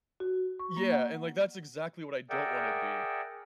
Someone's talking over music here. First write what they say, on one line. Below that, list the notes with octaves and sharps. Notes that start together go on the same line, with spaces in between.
Yeah, and, like, that's exactly what I don't wanna be,
F#4
C#6
A#3
F#5
G#4 A#4 D5 E5 F#5 G5